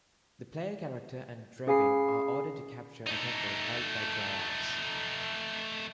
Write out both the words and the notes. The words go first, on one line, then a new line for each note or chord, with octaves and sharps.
The player character and Drevin are ordered to capture a temple held by dryads.
C#4 G#4 F5 G#5 B5 C7
A3 D#4